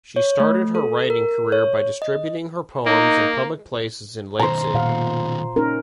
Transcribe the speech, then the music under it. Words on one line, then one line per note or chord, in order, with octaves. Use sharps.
She started her writing career by distributing her poems in public places in Leipzig.
C#5
A3
A4
A#4
C#5
D#5
A#3 D#4
B2 D#3 C5 A#5
A#2 F5 F#5
C#4 D#4 A#4